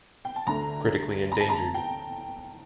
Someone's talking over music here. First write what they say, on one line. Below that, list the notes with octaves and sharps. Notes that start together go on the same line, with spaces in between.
Critically endangered.
G5
A5
D2 D3 A3 A#5
A#5
A5
A#5
G5